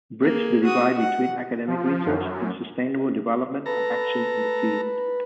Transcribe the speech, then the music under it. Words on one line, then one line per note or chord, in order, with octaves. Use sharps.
Bridge the divide between academic research in sustainable development and action in the field.
A#3 G#4
F#4 D#6
F#5
F3
F#2
A4 B4 A#5